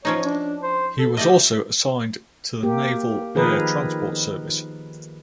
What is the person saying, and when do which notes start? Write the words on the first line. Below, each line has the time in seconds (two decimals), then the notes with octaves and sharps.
He was also assigned to the Naval Air Transport Service.
0.05 F3 C#4 D#4 C#5
0.24 D4
0.63 C5
0.98 A4
1.17 A3 G4 D5 D#5
2.63 A#3 G4
3.35 D#3 F3 G#4 A#4 B4